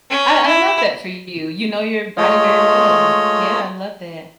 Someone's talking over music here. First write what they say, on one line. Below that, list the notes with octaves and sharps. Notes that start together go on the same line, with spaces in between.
I I love that for you, you know your body very well. Yeah, I love that.
C#4
E4
G#3 A3 F4 C#5 D#5